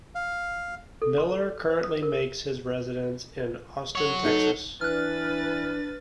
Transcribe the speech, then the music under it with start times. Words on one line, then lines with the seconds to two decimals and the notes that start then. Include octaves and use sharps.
Millar currently makes his residence in Austin, Texas.
0.15 F5
1.02 A4
1.18 C6
1.69 C5
1.84 D#6
2.03 A#4
3.95 F#4 C#5
4.25 D#4 A4
4.81 E3 D4 B4 F6 F#6 A6